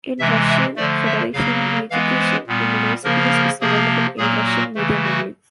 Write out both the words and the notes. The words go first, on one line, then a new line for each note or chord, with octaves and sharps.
In Russian Federation the education in universities is available in Russian medium only.
C3 E3 G#3 E5
E5
D3 F3 A3 D5
E5
C#3 F#3 A#3 F5
E3 G#3 B3 F5
C5
A#2 G3 B3
C#3 F3 A#3 A#4
A#4
C3 F3 A#3 G#4
A#2 F#3 A#3 G#4
F#4
C#3 E3 A3
F#4